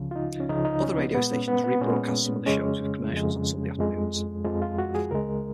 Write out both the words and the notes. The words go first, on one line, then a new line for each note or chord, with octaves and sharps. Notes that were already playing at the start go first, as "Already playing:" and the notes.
Other radio stations rebroadcast some of the shows with commercials on Sunday afternoons.
Already playing: C#2 C#3 F3
F4
D#4
C#4
C#2 C#3 F3 D#4
D#4
C#4
B3
A#2 G#3 B3
C#4
B3
B3
A#2 G#3 C#4
F2 C#3 G#3 C#4
F2 C#3 G#3
F2 F3 G#3
F2 F3 G#3 F4
F4
F#4
G#4
C#2 C#3 G#3 A#4